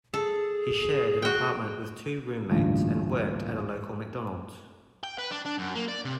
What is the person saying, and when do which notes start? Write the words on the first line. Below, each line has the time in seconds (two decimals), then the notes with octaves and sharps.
He shared an apartment with two roommates and worked at a local McDonald's.
0.14 G#4 A4
1.22 F#4 G5
2.49 A1 D2 G2 A#2
5.04 G5
5.18 B4
5.31 D4
5.45 D4
5.58 F#2
5.75 A#3
5.88 D5
6.05 C3